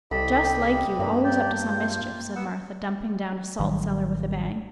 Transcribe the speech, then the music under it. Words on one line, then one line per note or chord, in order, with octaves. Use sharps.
'Just like you - always up to some mischief,' said Martha, dumping down a salt-cellar with a bang.
C2 G4 A4 D#5 B5 B6
G5
G2 A#3 E5
G4 D5 G6
F4
B3 F#5 E6
A1 D#3 F#3 G3